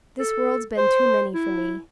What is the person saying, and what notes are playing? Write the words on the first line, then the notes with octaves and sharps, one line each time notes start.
This world's been too many for me.
A4
C5
E4